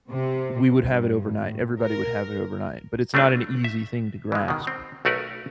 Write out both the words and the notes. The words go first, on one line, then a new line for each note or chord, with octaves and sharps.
we would have it overnight, everybody would have it overnight, but it's not an easy thing to grasp,
C3
G2
A2
A#4
G3 A3 C4 D4 F4
E5
E3 G#3
B2 D#3
C4
B1 A3 F#4 A#4 B4